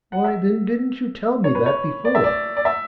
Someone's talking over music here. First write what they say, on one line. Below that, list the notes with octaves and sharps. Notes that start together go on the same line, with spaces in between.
"Why, then, didn't you tell me that before?"
F#5
E5
C#5
B4
C#5
D5
E5
D5
D5
E5